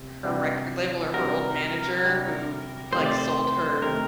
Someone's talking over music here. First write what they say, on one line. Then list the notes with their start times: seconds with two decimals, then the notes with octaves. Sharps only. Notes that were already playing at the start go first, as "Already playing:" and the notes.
her record label or her old manager who, like, sold her
Already playing: C3
0.24 C3 G3 D4 F#4
1.13 C3 G3 D4 F#4 A#4
2.03 C3 G3 D4 F#4
2.92 C3 D#3 A3 C4 C5
3.06 D5
3.18 C5
3.82 C3 D#3 A3 C4 A#4